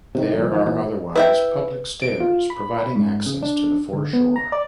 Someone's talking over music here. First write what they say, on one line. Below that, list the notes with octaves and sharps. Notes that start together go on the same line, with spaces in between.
There are otherwise, public stairs providing access to the foreshore.
C3 D#3
F#1 C2 F2
D#3 F3
A#2 E3 F#3
E4 B4 E5 G5
D7
F4
B5
G#2
C#3
D4
D3
B3
A#5
D5